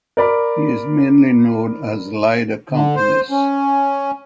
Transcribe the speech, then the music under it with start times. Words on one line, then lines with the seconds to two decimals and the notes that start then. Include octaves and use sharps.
He is mainly known as Lied accompanist.
0.17 A#4 D5 B5
2.71 D3
2.95 C5
3.31 C#4